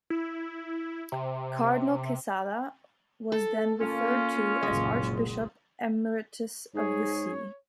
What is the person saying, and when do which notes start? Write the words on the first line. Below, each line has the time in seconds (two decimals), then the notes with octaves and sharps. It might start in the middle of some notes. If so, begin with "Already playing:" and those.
Cardinal Quezada was then referred to as Archbishop Emeritus of the see.
0.10 E4
1.12 C3
3.32 A4
3.81 A#3 C#4 F4
4.63 F#1 C2 A#2 G#3
6.74 G#2 G#4 C#5